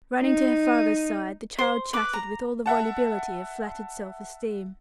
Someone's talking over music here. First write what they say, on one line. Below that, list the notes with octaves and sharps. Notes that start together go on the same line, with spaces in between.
Running to her father's side, the child chattered with all the volubility of flattered self-esteem.
D#4
C5
B4 D6
A#5
E5 F#5 A5